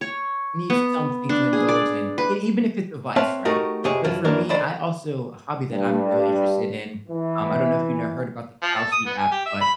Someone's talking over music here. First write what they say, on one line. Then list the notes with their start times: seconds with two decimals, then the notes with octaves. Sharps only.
need something to indulge in, e even if it's a vice, right? So for me, I also a hobby that I'm really interested in, um, I don't know if you know, heard about the Kalshi app, but
0.01 C#5
0.70 B3
1.29 D4
1.53 G#4
1.69 D5
2.18 B4
3.16 C4 B4 C#5 E5 F5 A5
3.45 A3 D#4 F#4 G4 A#4
3.84 F2 C3 G4 G#4 C#5
4.04 F#2 E3 F3
4.25 F#2 E3 A#3 D4 A#4
4.49 C#2 D3 D#3 C5 D5 B5
5.70 G2
7.08 E3
8.62 F3
8.76 A4
8.92 D#6
9.06 B3
9.18 G#5
9.31 G4
9.46 E5
9.61 B5